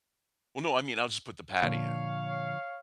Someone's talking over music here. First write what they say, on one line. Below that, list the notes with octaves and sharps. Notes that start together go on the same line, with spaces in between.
Well, no, I mean, I'll just put the patty in
A#2 D3 F3 C#5 F5